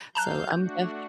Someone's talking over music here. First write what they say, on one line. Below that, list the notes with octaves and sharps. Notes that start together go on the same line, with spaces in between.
so I'm def
F#3 F5 A5 A#5 F#6 G6
A3 D4 F#4 G6